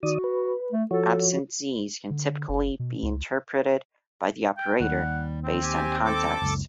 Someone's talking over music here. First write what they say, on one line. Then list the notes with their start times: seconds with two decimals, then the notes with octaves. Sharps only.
Absent "Z"s can typically be interpreted by the operator, based on context.
0.03 D#3 F#4 D5 D#6
0.24 B4
0.72 A3
0.91 F3 F#4 A4 C#5
2.10 D3
2.49 F#1
2.79 B2
3.03 C#2
4.57 G5
4.81 D#2 G3 F#5
5.44 C4
5.62 G4 G#5
6.05 A4 D6
6.42 F#1 C#2